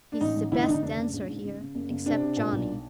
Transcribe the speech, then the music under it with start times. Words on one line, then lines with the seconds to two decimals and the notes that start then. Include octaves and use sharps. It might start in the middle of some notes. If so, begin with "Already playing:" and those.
"He's the best dancer here, except Johnny."
0.12 D4
0.21 A1 D#4
0.36 A1
0.52 D2 E4
0.62 D#4
0.67 D2 D4
0.72 D#4
0.82 F1 D4
0.98 C#3
1.13 A#1
1.29 G#2
1.44 C#3
1.60 C#3
1.75 F#1
1.90 F#1
2.06 C3 D4
2.21 C3
2.37 A#2
2.52 B1